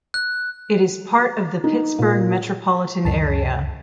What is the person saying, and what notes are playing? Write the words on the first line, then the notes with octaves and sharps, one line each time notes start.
It is part of the Pittsburgh Metropolitan Area.
F#6
D#4
A#2
C#2 F#2 A5